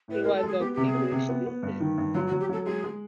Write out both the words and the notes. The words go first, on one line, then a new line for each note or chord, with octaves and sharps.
He was of English descent.
A2 B4
G#3 A#4
A4
G#3 G#4
B3 G4
C3 G4
G#4
B3
C3
B3
B3
G2
D#3
G2
F#3 F4
F#4
F#3
G4
F#3 A4
G#3 G#4
G#3